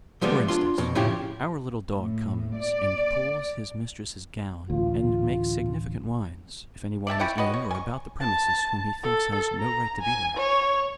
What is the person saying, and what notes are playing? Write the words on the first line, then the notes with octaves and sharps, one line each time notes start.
For instance, our little dog comes and pulls his mistress's gown and makes significant whines, if any one is in or about the premises whom he thinks has no right to be there.
C3 F3 G3 G#3 B3
D4 F4 C6
F2 B2
A2 C#3 F3 E4 F4 G4
A2
D5
A1 D2 F4
D5 E5 G5 A5
C#4 E4 F#5 G5
F#4 B4 C#5 D#5
C#5
G#5 C#6
A5
A4
A#5
G#5
C#5